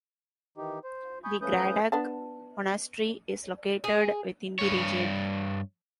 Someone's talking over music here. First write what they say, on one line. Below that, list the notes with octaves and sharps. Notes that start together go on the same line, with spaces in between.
The Gradac Monastery is located within the region.
D#3 E3 D#4 G4
C5
G#5 B5 C#6 D#6 G6
F3 A3 C#4 B4 D#6 G6
B3 D4 A5
G#4
G2 C#5